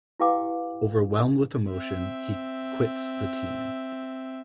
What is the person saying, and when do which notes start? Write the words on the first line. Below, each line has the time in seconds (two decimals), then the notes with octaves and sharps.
Overwhelmed with emotion, he quits the team.
0.20 E4 G4 B4 F5 G5 D6
1.71 C4 E5